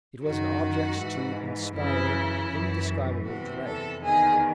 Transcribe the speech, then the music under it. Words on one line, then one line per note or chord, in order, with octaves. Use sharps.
It was an object to inspire indescribable dread.
F#2 D#3 F#4
G#2 E3
F#2 C#3 E3 E4
F#2 E3
E2 C3 E3 F#4
A4
E2 D#3 G#4